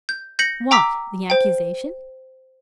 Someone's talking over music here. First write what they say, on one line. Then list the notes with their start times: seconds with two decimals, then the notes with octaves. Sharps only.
"What? the accusation?"
0.09 G6
0.39 G6 A#6 C#7 F#7
0.71 G5 A#5 D6 E6 B6
1.30 C5 G5